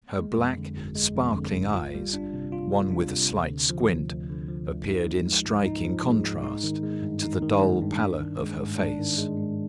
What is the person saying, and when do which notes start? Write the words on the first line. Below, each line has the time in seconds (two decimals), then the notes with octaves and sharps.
Her black, sparkling eyes, one with a slight squint, appeared in striking contrast to the dull pallor of her face.
0.19 G#3
0.37 F2
0.57 D3
0.77 G1
0.96 G#3
1.16 F2
1.36 D3
1.55 G1
1.74 F4
1.94 G3
2.13 D4
2.34 C3
2.52 F4
2.72 G3
2.92 D4
3.11 C3
3.32 D2
3.50 D3
3.69 F3
3.90 D2
4.09 D2
4.29 D3
4.49 F3
4.68 D2
4.87 D#4
5.07 F3
5.27 G#3
5.46 G#2
5.66 D#4
5.85 F3
6.05 G#3
6.25 G#2
6.43 D#4
6.64 D#3
6.83 G#3
7.02 G2
7.22 D#4
7.42 D#3
7.61 G#3
7.81 G2
8.00 D4
8.20 D#3
8.40 G#3
8.60 G#2
8.78 D4
8.99 D#3
9.18 G#3
9.37 G#2